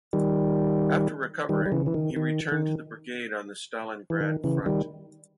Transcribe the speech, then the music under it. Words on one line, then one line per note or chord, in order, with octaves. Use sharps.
After recovering he returned to the brigade on the Stalingrad front.
D#3 G3
D#3 G3
G3
C#3 E3
E3
D#3
D#3
D#3
E3
D#3
C#3 E3
D#3 G3